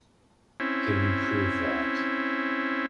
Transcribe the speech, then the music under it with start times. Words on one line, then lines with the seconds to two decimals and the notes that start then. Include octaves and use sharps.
Can you prove that?
0.60 C4 C#4 E4